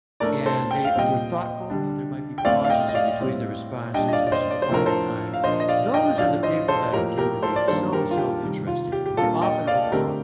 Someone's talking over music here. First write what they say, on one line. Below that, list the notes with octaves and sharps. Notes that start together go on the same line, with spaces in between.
And they they're thoughtful, there might be pauses in-between their responses, there's some quiet time, those are the people that are tend to be so, so interesting, and they're often overlooked.
A2 A3 D4 A#4 D5
A4 C5
G5
F5
A#2 G3 C4 D#5 G5
D3 G3 D4
G5
A2 A3 C4 D5 F5
F5
D#5 G5
D#5
D5 F5
A2 G3 C4
A#2 G3 D4 D#5 G5
D#5
D5 F5
D5
C5 D#5
D5
C5
A2 F3 A3 D4 A#4
A4 C5
F5
A#2 F3 A#3 D4 C5 D#5
D#5
D5 F5
D#5 G5
A2 F3 A3 D4 D5 F5
C5 D#5
A4 C5
A2 F3 A#3 G4 A#4
G4 A#4
A4 C5
D5
G2 D#3 A#3 D4 A4 C5
G4 A#4
F4
G4
C3 D#3 G3
F4
G4
G4
A#2 G3 A#3 D4 F4 A4
D#5 G5
D5 F5
D3 A3 C4 G4 A#4